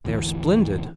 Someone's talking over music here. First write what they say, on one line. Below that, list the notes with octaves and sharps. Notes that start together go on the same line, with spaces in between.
They are splendid.
G#1 D2 E3